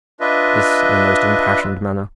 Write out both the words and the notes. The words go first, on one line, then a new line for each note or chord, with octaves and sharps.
This in a most impassioned manner.
D4 F4 B4 D#5 E5